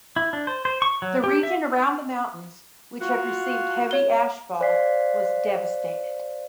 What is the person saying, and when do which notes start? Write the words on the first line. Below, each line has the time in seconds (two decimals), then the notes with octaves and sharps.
The region around the mountains, which had received heavy ashfall, was devastated.
0.16 E4
0.33 D4
0.47 C5
0.65 C5
0.82 C#6
1.02 F#3
1.24 G4
1.43 E5
2.99 F4 F#4
3.91 C#5 G7
4.61 C5 D5 F5 B6 C7